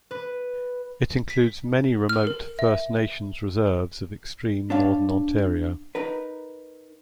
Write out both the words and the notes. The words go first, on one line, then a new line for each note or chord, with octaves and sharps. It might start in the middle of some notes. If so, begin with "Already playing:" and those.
It includes many remote First Nations reserves of extreme Northern Ontario.
B4
B6
F6
A#4
E5
D4 C#5 F5
D#4 A#4 B4